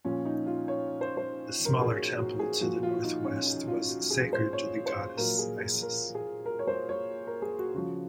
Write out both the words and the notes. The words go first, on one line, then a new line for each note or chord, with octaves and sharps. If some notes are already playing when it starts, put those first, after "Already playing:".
The smaller temple to the northwest was sacred to the goddess Isis.
A#2 F3 C#4
D#4
F4
C#5
C5
C5
A#4
G#4
F#4
F#4
G#4
A#2 F3 F#4
F4
D#4
C#4
D#4
F4
F#4
G#4
C5
C#5
C5
A#2 F#3 A#4
G#4
G#4
A#4
G#4
A#4
C#5
C5
C#5
A#4
G#4
F#4
C#3 F3 F#4